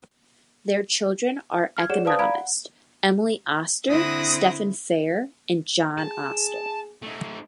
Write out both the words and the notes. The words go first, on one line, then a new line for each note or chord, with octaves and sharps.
Their children are economist Emily Oster, Stephen Fair, and John Oster.
F6 G#6
G4 G#4 C#5 D5 F#5 E7
B4 C5 D5 F5 A5 D#6
D5 F5 A#5 B5 G#6 D7
F#5
D3 C4 E4 D#6 F#6 A#6
G#4 A5
A3 D#4